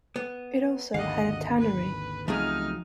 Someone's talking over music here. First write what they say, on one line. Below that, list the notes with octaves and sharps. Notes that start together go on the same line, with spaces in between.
It also had a tannery.
B3
G#1 D#2 D3 D#5 F5 F#5
B4
C#2 F3 F#3 A3 C4 D#4 G#4 F6